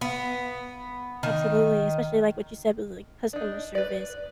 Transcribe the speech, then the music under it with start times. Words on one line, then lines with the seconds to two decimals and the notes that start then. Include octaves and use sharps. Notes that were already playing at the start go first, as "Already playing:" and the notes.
Absolutely, especially, like, what you said with, like, customer service.
0.01 B3
1.23 D#3
3.33 D4 D#4
3.75 B4 D5